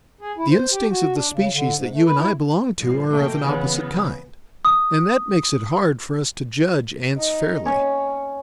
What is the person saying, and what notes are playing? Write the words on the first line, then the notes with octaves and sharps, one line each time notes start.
The instincts of the species that you and I belong to are of an opposite kind; and that makes it hard for us to judge ants fairly.
G#4
E4
C5
G4
F#4
D4
C#3
D3
G#2
A3
B4
E4
G2 A#2 F3
B2 A3 A#3 G5
C#3 E3 B3
D#6
D#4
C#4 C#5